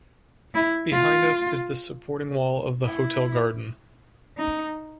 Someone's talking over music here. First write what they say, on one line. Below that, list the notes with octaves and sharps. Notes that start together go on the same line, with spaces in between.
Behind us is the supporting wall of the hotel garden.
E4
F4
E4
D#4